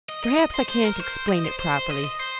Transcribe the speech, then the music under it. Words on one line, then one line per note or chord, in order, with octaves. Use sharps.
Perhaps I can't explain it properly.
D#5
D#5
D#5
C5
C5
A#4
C5
D#5
C5
C5
D#5
D#5
C5